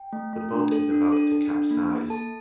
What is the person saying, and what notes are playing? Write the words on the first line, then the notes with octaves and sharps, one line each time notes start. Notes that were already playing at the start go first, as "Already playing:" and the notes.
The boat is about to capsize.
Already playing: G5
A3
A3
D4
A4
D4
A4
A4
D4
A#3
A#3
A4 A5